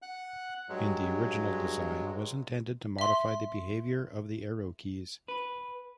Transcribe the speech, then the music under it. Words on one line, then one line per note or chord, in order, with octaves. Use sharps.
In the original design, was intended to modify the behavior of the arrow keys.
F#5 F#6
G2 F#3 G#3
E5 C6
B4